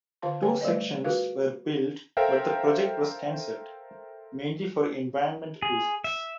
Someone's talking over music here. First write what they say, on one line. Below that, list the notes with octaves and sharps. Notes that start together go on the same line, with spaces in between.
Two sections were built but the project was cancelled, mainly for environmental reasons.
D3 F4 C5 F5 A5 C6
B4 C#5 G5 G#5
G3 A3 B4 C5 D5 D#5
F4 F#4 G#4 A#4 B4 F5
A4 A#4 C5 E5 F5 G5
G#4
E5